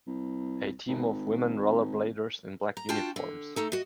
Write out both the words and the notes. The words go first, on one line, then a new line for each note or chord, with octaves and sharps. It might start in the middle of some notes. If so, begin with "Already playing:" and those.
A team of women rollerbladers in black uniforms.
C2
G#1
A#5
D4 F4 F#4 G5 A5
D3
A3 D#4 A4
F#4 D#5